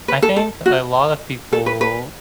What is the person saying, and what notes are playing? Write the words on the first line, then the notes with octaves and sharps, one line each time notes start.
I think a lot of people
B4
A4
A4
F#4
A4
B4
B4